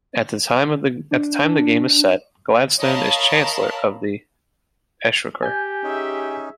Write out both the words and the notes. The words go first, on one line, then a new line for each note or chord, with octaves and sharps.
At the time the game is set, Gladstone is Chancellor of the Exchequer.
D4
A#4 C#5 D#5 F5 A5 B5
G4 G#5 G6
C#4 D#4 G#4 E5